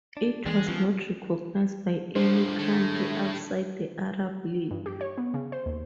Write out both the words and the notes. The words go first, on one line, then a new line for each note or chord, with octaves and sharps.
It was not recognized by any country outside the Arab League.
D4
E3 G#3 D4 G4 G#4
C#3 E3 F3 B3 C#4
A2 F3 D4 C5
A2 D#3 G#3 A3
G2
G4
C#5
B3
C#3
C5
D#2